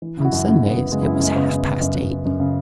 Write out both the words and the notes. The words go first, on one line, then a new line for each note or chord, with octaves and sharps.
On Sundays it was half-past eight.
E3
C#3 E4
F#4
F#2
C#3 E4
F#2
B3
F#2
C#3 G#3
F#2 E4
C#4
F#2 G#3
C#3 B3
C#3
C#3
F#2
F#2
F#2
F#2 C#4
C#3